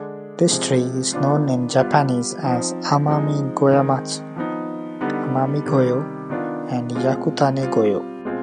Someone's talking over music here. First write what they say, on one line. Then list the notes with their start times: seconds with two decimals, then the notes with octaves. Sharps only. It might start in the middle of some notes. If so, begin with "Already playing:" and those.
This tree is known in Japanese as "amami-goyamatsu", "amami-goyo", and "yakutane-goyo".
Already playing: D3 G#3 D4
0.48 C3 F3 G#3 C4
1.13 D#3 B3 D4 F4
1.78 G3 B3 F4
2.42 F3 C4 D#4
3.07 F3 G#3 C4 D#4
3.72 D#3 G#3 C4 D#4
4.36 F3 B3 D#4
5.01 D3 G3 B3 D#4
5.66 C3 D#3 G3
6.30 D#3 B3 D4 F4
6.95 B2 G#3 C4 F4
7.60 G3 C4 F4
8.25 B2 G#3 C4 F4